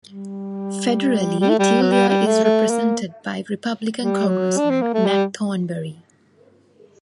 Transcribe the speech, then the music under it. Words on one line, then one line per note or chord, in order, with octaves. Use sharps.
Federally, Tulia is represented by Republican Congressman Mac Thornberry.
G3
G3
A3
G3
F#3
G3
G3
A3
A3
A#3
G3
F#3
D4
C4
A#3
A3
G3